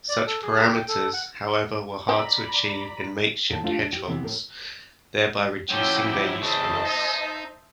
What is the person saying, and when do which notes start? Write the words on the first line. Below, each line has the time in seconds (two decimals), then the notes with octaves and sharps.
Such parameters, however were hard to achieve in makeshift hedgehogs, thereby reducing their usefulness.
0.09 D5
0.27 A4
0.43 G#4
0.68 G5
0.88 A4
1.14 F#5
2.09 C5 D5 D#5 G5 A#5 B5
3.49 A#2 D#3 A#4 A5
3.63 A3 D4 F4 G4 C5 F5
3.79 D4
3.93 G4
4.08 C3 E3 B3
4.23 A2 A#4
5.71 F3 F#3 C#4 E4 G5 D6
6.42 E2 C#3 C5 D#5 E5 A5
6.85 D#4